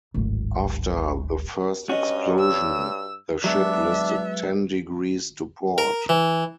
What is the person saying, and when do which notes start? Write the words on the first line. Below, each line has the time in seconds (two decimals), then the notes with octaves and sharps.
After the first explosion, the ship listed ten degrees to port.
0.14 D1 G#1
1.89 G2 C#4 F#4 D#5
2.40 E6
3.44 F#3 G#3 B3 D4 E5
5.78 A#4
6.09 E3